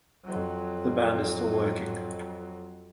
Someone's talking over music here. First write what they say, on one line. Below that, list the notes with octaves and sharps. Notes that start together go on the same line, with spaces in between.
The band is still working.
F2 F#3